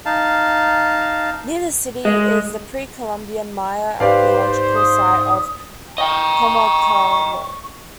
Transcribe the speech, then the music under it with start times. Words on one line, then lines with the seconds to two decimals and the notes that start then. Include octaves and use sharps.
Near the city is the Pre-Columbian Maya archaeological site of Comalcalco.
0.06 D#4 F5 A5
2.05 G#3
4.00 G#2 G4 B4 C5 D5 F5
4.76 D#6
5.98 D#5 G5 C#6